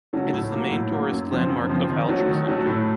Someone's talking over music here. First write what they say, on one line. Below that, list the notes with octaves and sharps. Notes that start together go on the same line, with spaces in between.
It is the main tourist landmark of Alger Center.
C#3 F#3 A3 C#4
A2
F#3 A#3
A2
F#3 A#3
F#2
C#3 F3 C4
F#2
C#3 F3 C4
D#3
F#3 A3 C#4 F#4
D#3
F#3 A3 C#4 F#4
A2